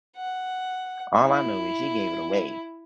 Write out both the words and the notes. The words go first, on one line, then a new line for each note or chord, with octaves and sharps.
All I know is, she gave it away,
F#5
E4